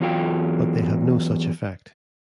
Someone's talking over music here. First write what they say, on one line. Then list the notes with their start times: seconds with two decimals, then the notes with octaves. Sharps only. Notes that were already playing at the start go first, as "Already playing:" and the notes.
But they have no such effect.
0.01 E2 F#3 F4 F5 G5